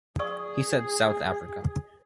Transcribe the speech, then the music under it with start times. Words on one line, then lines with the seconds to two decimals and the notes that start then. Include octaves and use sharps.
He said, South Africa.
0.19 G#4 D5 C#6 D#6